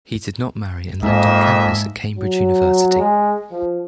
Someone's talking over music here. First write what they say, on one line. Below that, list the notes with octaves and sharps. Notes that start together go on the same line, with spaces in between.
He did not marry and lived on campus at Cambridge University.
F2 G#2 A#3 D#5 E5
F#3
G#3
F3